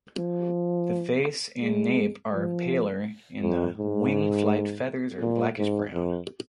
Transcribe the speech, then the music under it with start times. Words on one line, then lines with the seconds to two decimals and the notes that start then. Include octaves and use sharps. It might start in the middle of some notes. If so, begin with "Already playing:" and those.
The face and nape are paler and the wing flight feathers are blackish-brown.
0.18 F3
1.61 G#3
2.33 F3
3.42 F2
3.77 G#2
5.21 A#2
5.58 G#2
5.94 F2